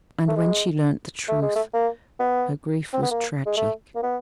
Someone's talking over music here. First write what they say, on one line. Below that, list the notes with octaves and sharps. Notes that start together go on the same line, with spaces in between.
And when she learnt the truth, her grief was tragic.
A3
G#3
A3
G#3
A3
A#3
B3
C4
B3
A#3
G#3
A3
A#3
B3